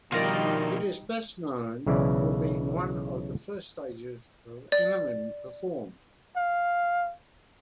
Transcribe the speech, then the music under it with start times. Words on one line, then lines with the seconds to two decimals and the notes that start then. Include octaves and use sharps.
It is best known for being one of the first stages Eminem performed.
0.12 B2 D#3 F3 G3 D#4 F4 A#4 D5
1.86 B1 C#3 E3 E4 D5
4.72 D5
6.36 F5